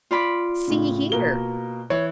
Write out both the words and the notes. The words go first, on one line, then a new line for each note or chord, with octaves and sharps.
See here.
F4 D5 B5
A2 C#3
B2 A#3 G7
E3 C#5